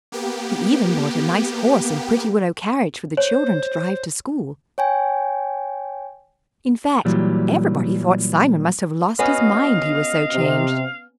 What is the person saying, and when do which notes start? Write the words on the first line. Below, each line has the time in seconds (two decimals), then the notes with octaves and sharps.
He even bought a nice horse and pretty willow carriage for the children to drive to school; in fact, everybody thought Simon must have lost his mind, he was so changed.
0.12 A#3 B3 G4
3.17 C5 C#5
4.78 C#5 G5 G#5
7.05 A#2 E3 F#3 G3
9.19 B3 C#4 F#4 D#5 F5
10.33 C3